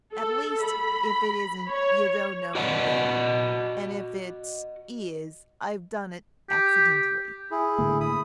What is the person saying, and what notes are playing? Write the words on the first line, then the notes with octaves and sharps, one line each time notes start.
'At least, if it isn't, you don't know any better, and if it is, I've done it accidentally.'
A4
B5
C#5
F#4 D5 D#5 F#5
G4
E4 G#4
A2 D3 A#3
B5 D#6